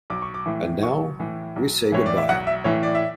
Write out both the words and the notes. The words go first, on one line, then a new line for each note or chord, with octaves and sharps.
And now, we say goodbye.
B1 D6
C#6
D6
A2 E3
B1 C#6
A2 E3
B1
A2 E3 C#5
D5
E5
B1 F#5
E5
A2 E3 C#5
D5
E5